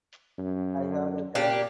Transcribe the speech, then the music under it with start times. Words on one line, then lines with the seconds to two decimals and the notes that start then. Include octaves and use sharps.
I have the time.
0.39 F#2
1.35 A#2 D4 G4